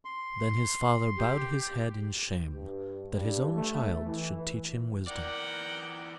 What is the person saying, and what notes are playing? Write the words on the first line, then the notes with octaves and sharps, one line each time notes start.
Then his father bowed his head in shame that his own child should teach him wisdom.
C6
G4
G2
G2
A3
E3
E3 A#4 D5 F#5 G5